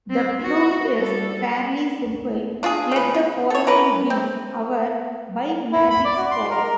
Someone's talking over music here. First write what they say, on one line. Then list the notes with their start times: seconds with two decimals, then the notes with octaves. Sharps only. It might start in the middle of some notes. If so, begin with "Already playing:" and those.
The proof is fairly simple: let the following be our bimagic square.
0.10 C4
0.41 F#4
0.96 G3 A4
2.63 D4 F4 F#4 G#4
2.91 C#3 B4
3.14 F4
3.50 A4 C#5
3.67 E3 A#4 B4
4.10 C4
5.72 E4
5.90 B5
6.04 D5
6.17 F#4
6.31 C6
6.50 A#4
6.64 A#4